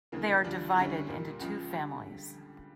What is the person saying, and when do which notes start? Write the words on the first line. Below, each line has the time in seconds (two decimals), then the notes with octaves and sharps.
They are divided into two families.
0.12 D2 C#3 E3 A#3
0.44 D2 D3 G3 D4 F4
0.76 D2 D3 G3 C#4 E4
1.08 A#2 G3 A#3
1.40 C#2 C#3 F3
1.72 D3 G3